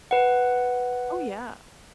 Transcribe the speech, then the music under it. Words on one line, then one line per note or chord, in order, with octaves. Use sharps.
Oh, yeah.
B4 F#5